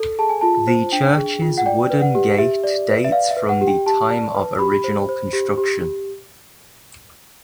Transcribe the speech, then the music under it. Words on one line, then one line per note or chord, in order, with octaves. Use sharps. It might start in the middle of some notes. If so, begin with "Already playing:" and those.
The church's wooden gate dates from the time of original construction.
Already playing: A4
G#4 A5
G#5
F4 A5
C5
D4 G5
G#4
F4
F#5
D5 G5
B4
F#5
G4
G4 E5
D5
B4
E5
D5 F5
E5
B4
F#5
G4
G5
G4 A5
D5
B4
G4 B5
C5
C5
G4
G4